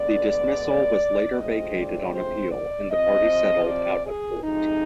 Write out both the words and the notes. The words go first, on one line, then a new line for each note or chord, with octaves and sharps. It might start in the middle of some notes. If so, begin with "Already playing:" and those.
This dismissal was later vacated on appeal, and the parties settled out of court.
Already playing: D2 D3 G#3 B3 D5
D2 C3 F3 G#3 C4 D#5
D5
C5
D5
C3 F3 C4 D#5
D5
G#4
F2 C3 F3 G#3 D#4